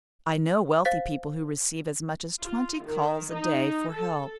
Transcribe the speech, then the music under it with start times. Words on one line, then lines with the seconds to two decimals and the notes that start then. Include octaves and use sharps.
I know wealthy people who receive as much as twenty calls a day for help.
0.85 C5 F5 A6 B6
2.41 F4
2.85 D#3
3.32 D#4
3.91 A4